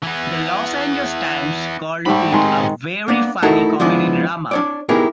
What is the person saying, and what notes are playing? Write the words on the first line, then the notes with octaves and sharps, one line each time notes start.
"The Los Angeles Times" called it "a very funny comedy-drama".
E3 B3
G#2 F#3 G3 A3 B5
D#3 G#3 C4 G#4
A#3 B3 D4
A3 D#4 E4 F#4 A4 A#4
F3 G#3 B3 D4 E4 F4
D4 C#5 D5
B3 D#4 E4 G4 G#4 A#4